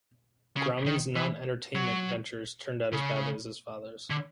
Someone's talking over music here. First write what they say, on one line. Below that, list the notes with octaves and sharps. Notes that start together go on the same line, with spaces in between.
Grauman's non-entertainment ventures turned out as badly as his father's.
C#3
D#3
E3
F#3
C#3
D3